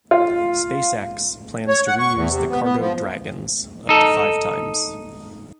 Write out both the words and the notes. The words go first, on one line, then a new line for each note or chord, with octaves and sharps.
SpaceX plans to reuse the Cargo Dragons up to five times.
F4
C#5
F#5
C#6
E2
C3
B3
B3
F3
D#4 A4